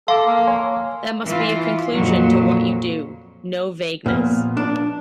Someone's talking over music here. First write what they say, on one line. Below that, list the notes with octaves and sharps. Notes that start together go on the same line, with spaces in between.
There must be a conclusion to what you do, no vagueness.
A4 F5 C6 D6 E6
A#3
C#5 G#5 C6
E3 F4
F2 A#2 F#3
A#2 F3 B3 F6
D4